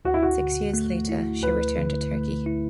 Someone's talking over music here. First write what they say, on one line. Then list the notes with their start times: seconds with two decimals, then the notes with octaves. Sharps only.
Six years later she returned to Turkey.
0.05 D2 F#4
0.14 E4
0.23 F#4
0.39 D3
0.74 A3
1.09 E4
1.43 D2 B4
1.78 D3
2.12 A3
2.46 E4